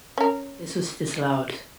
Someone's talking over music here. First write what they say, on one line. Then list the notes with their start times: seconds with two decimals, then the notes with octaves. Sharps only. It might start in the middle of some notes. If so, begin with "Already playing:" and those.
This was disallowed.
0.18 C#4 A#4